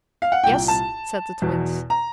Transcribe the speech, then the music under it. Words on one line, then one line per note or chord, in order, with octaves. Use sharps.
"Yes," said the Twins.
F5
F#5
C2 A#2 G5
A5
E2 B2
A#5